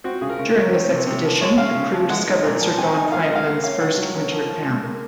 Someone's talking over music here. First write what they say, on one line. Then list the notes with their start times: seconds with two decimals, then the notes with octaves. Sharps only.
During this expedition, the crew discovered Sir John Franklin's first winter camp.
0.04 C4 F#4
0.21 C#3 G#4
0.30 A#4
0.39 C#3
0.56 F#3
0.73 C4 C#5
0.90 C3
1.07 C3
1.24 F3
1.41 G#3 C#5
1.58 C#3 F5
1.75 C#3
1.93 F3
2.09 G#3 F#5
2.27 D#4
2.44 A#2
2.61 F3
2.77 C4 G#5
2.95 D#4 G#5
3.12 D#3 F5
3.23 D#5
3.29 G#3
3.35 F5
3.46 A#3 F#5
3.63 C#4 F5
3.80 D#3 F#5
3.98 F#3
4.15 C#4
4.32 F3
4.49 F3
4.66 G#3
4.83 A#3